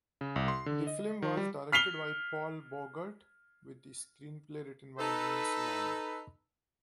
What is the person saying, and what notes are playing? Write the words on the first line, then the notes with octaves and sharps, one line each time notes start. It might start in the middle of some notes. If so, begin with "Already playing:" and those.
The film was directed by Paul Bogart with the screenplay written by Neil Simon.
C#3
C2
C6
D3
D#5
D#3
G3
F6 B6 C7 F7 G7
D#4 A4 B4